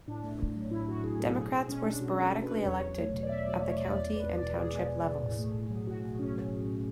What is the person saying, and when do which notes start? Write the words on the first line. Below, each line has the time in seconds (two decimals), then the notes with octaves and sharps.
Democrats were sporadically elected at the county and township levels.
0.07 A2 D4
0.24 A3
0.40 A2
0.56 F#3
0.71 A2 E4
0.88 A3 F#4
1.04 A2 G#4
1.19 F#3 A4
1.36 B2 G#4
1.52 B2 G#4
1.68 G#3 C#4
1.85 G#3 D4
2.01 B2 F#4
2.17 B2
2.22 A4
2.33 G#3
2.43 B4
2.49 G#3
2.65 E2 C#5
2.81 F#3
2.97 A3
3.13 B2
3.23 D5
3.29 E2 E5
3.45 F#3 D5
3.61 A3 C#5
3.78 B2 D5
3.94 E2 D5
4.10 G#3
4.16 B4
4.26 E2
4.37 B2 D5
4.58 E2 G#4
4.74 G#3
4.91 E2
5.06 B2
5.23 A2
5.38 A3
5.54 A2
5.70 F#3
5.86 A2 F#4
6.04 A3
6.19 A2 C#4
6.36 F#3